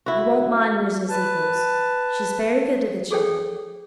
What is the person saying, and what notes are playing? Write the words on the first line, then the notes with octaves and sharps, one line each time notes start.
You won't mind Mrs. Eagles; she's very good to the children.
E4 F#4
B4 A5
F#4 G#4 A4 C5 C#5 G5